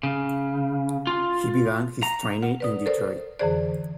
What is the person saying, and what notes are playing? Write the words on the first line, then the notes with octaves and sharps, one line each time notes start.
He began his training in Detroit.
C#3
F4
A#5
F#5
B4 D5 D#6
A4 A#4 C5 D5
F2 D3 E3 G#4 C5 D5